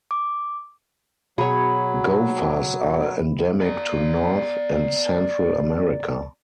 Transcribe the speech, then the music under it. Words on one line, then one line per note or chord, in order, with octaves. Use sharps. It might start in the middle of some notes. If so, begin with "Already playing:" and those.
Gophers are endemic to North and Central America.
D6
B2 F#3 G#4 C#5 B5
D5 A#5